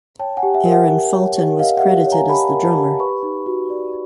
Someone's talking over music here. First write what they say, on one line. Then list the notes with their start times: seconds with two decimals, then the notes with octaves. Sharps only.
Aaron Fulton was credited as the drummer.
0.19 C#5 G5 A5
0.37 F#5 G#5
0.43 G4
0.54 E5 F#5
0.66 A#4
0.72 E5 F#5
0.90 G4
1.13 C#5
1.36 G4
1.59 A#4 D#5 F5
1.77 E5 F#5
1.83 G4
2.06 C#5
2.12 G#5 A#5
2.29 G4 A5 B5
2.53 A#4
2.65 A5 B5
2.77 G4
2.99 B4 B5 C#6
3.23 D#4
3.46 F#4
3.70 D5